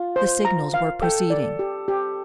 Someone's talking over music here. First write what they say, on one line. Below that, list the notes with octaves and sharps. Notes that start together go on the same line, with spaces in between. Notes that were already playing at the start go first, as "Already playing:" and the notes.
The signals were proceeding.
Already playing: F4
C5
A#5
F5
A4 G5
D5
G4
G4